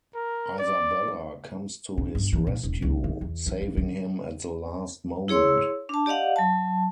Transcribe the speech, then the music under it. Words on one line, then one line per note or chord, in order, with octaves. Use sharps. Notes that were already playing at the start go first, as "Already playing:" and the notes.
Isabella comes to his rescue, saving him at the last moment.
A#4
D5
D3
G1
E3
A#2
D#1
C#2
D#3
E2
E3
E3
D3
E4 G#4 C#5 C6 E6
D4 A5
G4 D5 D#5 F5 F#5
F#3 A5